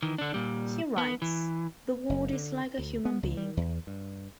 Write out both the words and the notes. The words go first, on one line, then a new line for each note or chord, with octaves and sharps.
He writes, The world is like a human being.
D#3 E3
D3 D4
A#2 G3
B3
E3
F#1
D3
D2
B3
C#2
G3
E2
G2